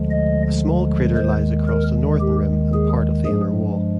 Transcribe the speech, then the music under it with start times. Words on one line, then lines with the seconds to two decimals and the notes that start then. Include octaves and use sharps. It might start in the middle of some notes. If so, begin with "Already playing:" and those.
A small crater lies across the northern rim and part of the inner wall.
Already playing: D2 D3 F3 G#3
0.11 D#5
1.16 D#2 D#3 G#3 C5
1.68 A#4
2.20 G4
2.73 G#4
3.25 G2 F3 G#3 G#4